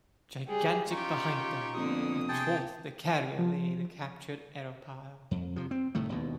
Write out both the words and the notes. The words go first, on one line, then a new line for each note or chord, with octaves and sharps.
Gigantic behind them, athwart the carrier lay the captured aeropile.
G3 G4 G#4
C#4 D#4 F4 G4 C#6
F2 D3 A#3 B3 D#6
C3 G#4 G5 A5
F3
F2
C3 F3
C4
C2 A2 D#3 A3
E1 D#2 B2